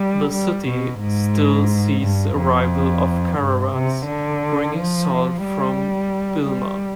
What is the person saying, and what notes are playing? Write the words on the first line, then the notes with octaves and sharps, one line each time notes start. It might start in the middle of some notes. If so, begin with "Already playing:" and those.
The city still sees the arrival of caravans, bringing salt from Bilma.
Already playing: G3
G3
B2
G#2
G2
F2
G2
C3
D3
F3
G3
G3